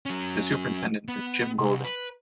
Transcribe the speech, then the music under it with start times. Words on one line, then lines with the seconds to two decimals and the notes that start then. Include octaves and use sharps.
The Superintendent is Jim Golden.
0.06 F#3 C#4
1.08 B3
1.59 C2
1.85 B4